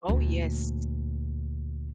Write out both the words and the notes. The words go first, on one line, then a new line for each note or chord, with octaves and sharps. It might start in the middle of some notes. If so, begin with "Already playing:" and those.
Oh, yes.
D2 A#2